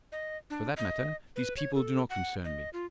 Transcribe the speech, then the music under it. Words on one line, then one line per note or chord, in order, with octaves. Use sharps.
For that matter, these people do not concern me.
D#5
D4
D#5
B4
C#5
A4
F#5
D#5
F4